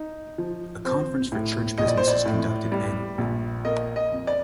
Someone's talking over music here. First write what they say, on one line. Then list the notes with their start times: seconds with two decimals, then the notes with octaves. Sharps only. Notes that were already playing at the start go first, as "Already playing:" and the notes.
A conference for church business is conducted annually.
Already playing: D#4
0.38 F3
0.85 C4 C5
1.32 A2
1.78 A#1 D#5
1.88 D5
1.97 C5
2.08 D5
2.25 A2
2.72 G3
3.18 A#1
3.65 A#3 D#5
3.96 D#5
4.12 F2
4.27 D5